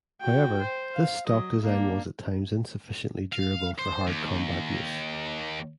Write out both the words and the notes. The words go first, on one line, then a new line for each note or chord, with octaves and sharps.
However, this stock design was at times insufficiently durable for hard combat use.
F#4 G5
C5
F5
F#3 D#5
A#3 D4
F5
C5
D#2